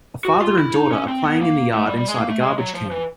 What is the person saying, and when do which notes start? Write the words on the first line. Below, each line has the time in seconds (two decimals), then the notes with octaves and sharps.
A father and daughter are playing in the yard inside a garbage can.
0.25 F#4
0.41 F4
0.58 E4
0.75 D#4
0.91 C#4
1.08 C4
1.24 B3
1.41 A#3
1.75 A3
1.86 G3
1.97 G3
2.08 G#3
2.19 A#3
2.30 A3
2.41 G#3
2.58 F#3
2.74 F3
2.91 E3